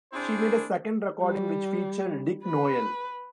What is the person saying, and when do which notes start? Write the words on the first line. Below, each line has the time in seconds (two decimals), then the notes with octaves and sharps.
She made a second recording which featured Dick Noel.
0.13 C4 D4 E4 G#4 C5
1.22 G3
2.44 B4